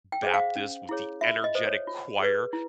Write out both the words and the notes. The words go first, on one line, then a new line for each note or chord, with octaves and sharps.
Baptist with the energetic choir.
G5
G#4 C5
F5
C#4
E4 G#4 C#5
F4 E5
D#5
A4 C5
C#5
F4
G#4 B4
E4